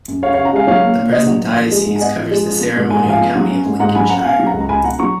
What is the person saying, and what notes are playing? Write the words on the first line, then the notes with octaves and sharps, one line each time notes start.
The present diocese covers the ceremonial county of Lincolnshire.
F#2
C#4 C#5 F5
C#3 C#5 F5
F#5 A#5
G#3 F5 G#5
F#3 C#5 F5
A#3
A#2
A#2 D#5
F#3
A#3
F3
G#3
G#2
G#5
B3 D#5 F#5
F3
G#3
F3
B3
G#2
G#2 G#5
F#5
F3 F5 G#5
B3
F#3
C#4
G#2
G#2 F#5 A#5
F#3 G#5 B5
C#4 F#5 A#5
F#5
B2 F5 G#5
F#3
F#5 A#5
C#2
A#5
C#2 G#5 B5
B2 F#5 A#5
F#3 A#5 C#6